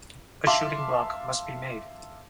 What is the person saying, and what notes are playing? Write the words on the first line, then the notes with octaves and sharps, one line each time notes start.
A shooting-block must be made.
E5 F5 A5 C6 D6